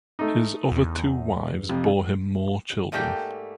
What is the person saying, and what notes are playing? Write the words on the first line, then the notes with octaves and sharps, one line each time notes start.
His other two wives bore him more children.
A3 D#4
E2
F2 C3 F3
G#2 A3 A#3 G4 D5 G5